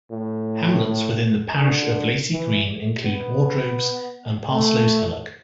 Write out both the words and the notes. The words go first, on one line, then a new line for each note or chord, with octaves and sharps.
Hamlets within the parish of Lacey Green include Wardrobes and Parslow's Hillock.
A2
D3
E3
B3
A3